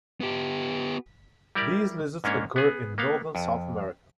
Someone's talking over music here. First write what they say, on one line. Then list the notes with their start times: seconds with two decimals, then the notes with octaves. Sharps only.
These lizards occur in northern South America.
0.21 B3 G4
1.55 G3 E4 G4 A#4 D5
2.24 G#2 A#3 C#4 D4 C#5
2.56 B3 G#4
2.98 A#3 B3 F5
3.35 F2